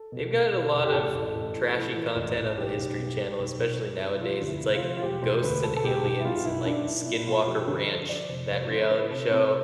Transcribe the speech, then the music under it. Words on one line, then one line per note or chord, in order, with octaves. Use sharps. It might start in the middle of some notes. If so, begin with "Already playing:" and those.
They've got a lot of trashy content on the History Channel, especially nowadays. It's, like, ghosts and aliens and, like, Skinwalker Ranch, that reality show,
Already playing: A4
B2
B2
B2
F1
G4
A1 A4
A1
A1
A2
E3
E3
A1
A1
B1 G4
B1
B2
B2
B1
B2
B1
B1
F3 F4
D2
E4
C3
F4
F3
F4
E1 G4
E1 C5
D2 B4
E1 A4
A4
B2 G4
B1 G4
E4
B2 F4
B1 E4
B1 D4
B1 E4
B2 E4
B2 F4
F3 G4
D3 A4
F3 C5
C5
F3 D5
F1 C5
F3 C5
D3 C5
D3 B4
C3 A4
C3 C4